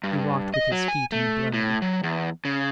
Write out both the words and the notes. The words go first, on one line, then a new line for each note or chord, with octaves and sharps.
He walked with his feet in the blood.
G2
D#5
F#3
G#5
A3
A2
F#3
E2
C#3